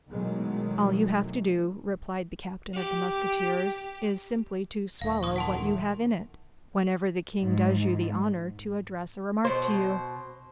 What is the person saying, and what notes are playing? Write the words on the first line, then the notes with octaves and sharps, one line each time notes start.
"All you have to do," replied the captain of the musketeers, "is simply to swallow what you have in it, whenever the king does you the honor to address a remark to you."
B2 D#3 E3 F#3 G#3 A3
G4
D#1 A#2 D#3 A#3 F5
G1 C#6 D#6 G#6
F#2 F#5 A5 C6
E3 A4
G#2
B2 C5